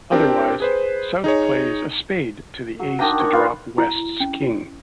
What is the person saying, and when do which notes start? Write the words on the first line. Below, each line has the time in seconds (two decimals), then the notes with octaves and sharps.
Otherwise, South plays a spade to the Ace to drop West's King.
0.12 C4 D4 G4 A#4 G5
0.60 G#4 B4 C5
1.24 D#4 G#4 C#5
2.79 F#3
2.99 D#3 D4 G5 A#5
3.19 C#5
3.33 F4 B4 C#5
3.78 E4
4.20 C#4